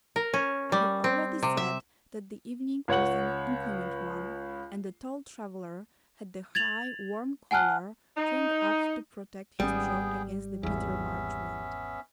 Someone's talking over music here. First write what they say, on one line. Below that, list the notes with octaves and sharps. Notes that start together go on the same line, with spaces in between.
I have already said that the evening was an inclement one, and the tall traveller had the high, warm collar turned up to protect his throat against the bitter March wind.
A#4
C#4
G3
C4
C3
E5
C#2 C#5 F#5 F#7
G#6 A6 F7 F#7
F#5 G#5 A5 F6 F#6
D#4
G#1 G3 B3 C#4 G#4 G5
G#1 E2 B3 C#4 E5